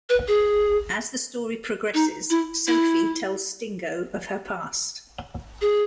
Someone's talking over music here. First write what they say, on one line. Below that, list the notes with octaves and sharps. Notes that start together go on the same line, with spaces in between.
As the story progresses, Sophie tells Stingo of her past.
B4
G#4
D#4
E4
E4
G#4